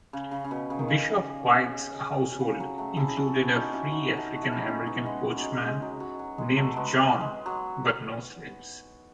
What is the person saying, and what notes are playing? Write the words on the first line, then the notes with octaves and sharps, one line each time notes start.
Bishop White's household included a free African American coachman, named John, but no slaves.
C#3
C#3
C#3
B2
C#3
D#3
C#3
C#3
F#3
F#3 A3
E4 G#4
F#4 A4
A4
E4 G#4
D#4 F#4
C#4 E4
D#4 F#4
F#4 A4
F#4
E4 G#4
C#4
D#4
C#4 E4
B3 D#4
G#3 B3
F#3
G#3
G#3
F#3
F#3
F#3
G#3
F#3 A3
G#3 B3
G#3
F#3